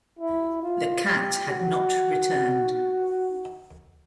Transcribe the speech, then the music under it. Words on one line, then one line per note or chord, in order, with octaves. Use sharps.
The cat had not returned.
E4
F4
G4
F#4